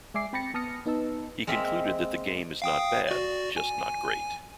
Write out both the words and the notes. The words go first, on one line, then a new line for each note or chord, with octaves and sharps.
He concluded that The game is not bad, just not great.
G#3 D5 E5 G#5 D6 C7
C4 G5 B5 A6 A#6 C#7
B3 A5 D#6 F6 A#6 C#7
B3 D#4 B4 A5 E6
G#3 A#3 C4 E5
F5 G5 D#6
F#4 D5
G#5